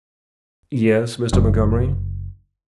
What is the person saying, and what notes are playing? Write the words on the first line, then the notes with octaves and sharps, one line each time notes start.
"Yes, Mr. Montgomery?"
F#1